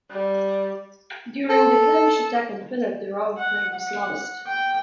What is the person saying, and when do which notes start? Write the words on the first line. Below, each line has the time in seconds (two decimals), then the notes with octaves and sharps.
During the Flemish attack on Philip, the oriflamme was lost.
0.11 G3
1.50 A4
3.37 F#5
3.75 F#5
4.47 G5